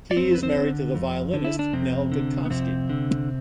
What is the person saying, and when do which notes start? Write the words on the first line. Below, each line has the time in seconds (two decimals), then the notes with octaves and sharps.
He is married to the violinist Nell Gotkovsky.
0.11 D5
0.16 F2 C4 C5
0.35 B4
0.43 C4 C5
0.56 D3
0.95 F2
1.34 D3
1.45 E4
1.59 D4
1.73 F2 C3 C4
2.12 D3
2.45 B3
2.50 F2 C3 C4
2.89 D3